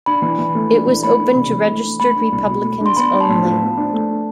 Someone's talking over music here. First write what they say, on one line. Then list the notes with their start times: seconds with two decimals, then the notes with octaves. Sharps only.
It was open to registered Republicans only.
0.06 D4 B5
0.22 E3
0.39 E3
0.55 A3
0.72 D4
0.87 E3
1.03 A3 B5
1.19 D4
1.35 C3
1.51 E3
1.68 A3
1.83 D4
2.00 A3 B5
2.16 D4
2.32 C2
2.48 B2
2.64 A3
2.81 D4
2.86 C6
2.96 B3 B5
3.12 D4
3.21 A5
3.28 A2
3.45 F3
3.61 B3
3.78 D4
3.93 A3